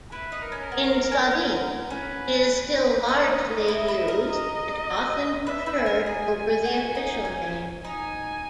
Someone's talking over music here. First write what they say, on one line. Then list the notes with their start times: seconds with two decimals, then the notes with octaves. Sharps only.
In Slovene it is still largely used and often preferred over the official name.
0.12 E4 B4
0.32 D#4
0.42 A#4
0.52 C#4
0.72 B3
1.11 C#4
1.31 B3
1.90 C#4 B4
3.09 D#4 D#5
3.68 E4
3.88 E4
4.08 A#4
4.28 D#5
5.47 B4 E5
5.66 B4
5.76 G#5
5.86 A#4
6.06 G#4 G#5
6.65 F#4
6.95 D#4
7.25 C#4
7.84 D#4 G#5